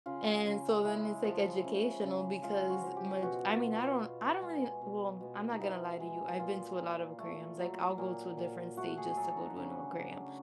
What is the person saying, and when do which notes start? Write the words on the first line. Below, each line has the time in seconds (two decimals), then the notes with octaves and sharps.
and so then it's like educational because much I mean, I don't I don't really well, I'm not gonna lie to you. I've been to a lot of aquariums, like I'll go to a different state just to go to a new aquarium,
0.06 C#3 F4
0.46 C#3
0.85 G#3 E4
1.24 F3
1.64 C#3
2.04 C#3
2.43 G#3 F4
2.70 F#4
2.83 F3
2.97 G4
3.23 B2 F#4
3.49 F4
3.62 B2
3.76 F4
4.01 B3
4.41 G#3
4.81 B2
5.21 B2
5.52 D#4
5.60 B3 E4
6.00 G#3
6.39 A#2 F4
6.79 A#2
7.19 A3
7.59 F#3
7.98 A#2
8.37 A#2
8.77 A3 F#4
8.97 G#4
9.17 F#3 A4
9.37 D#4
9.56 C#3 D4
9.96 C#3